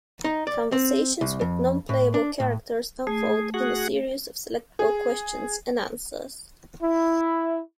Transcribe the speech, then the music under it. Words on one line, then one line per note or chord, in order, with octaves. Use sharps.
Conversations with non-playable characters unfold in a series of selectable questions and answers.
D#4
D5
C4
C2
F2
A2
D4
A2
A3 G#4
F#4 G#4 F#5
G#4
E4